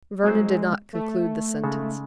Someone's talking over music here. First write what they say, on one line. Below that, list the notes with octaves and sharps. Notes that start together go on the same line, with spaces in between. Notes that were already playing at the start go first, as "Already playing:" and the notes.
Vernon did not conclude the sentence.
F#3 G#3 C4 E4 C5
A3
C#3 G#3 D#4 A4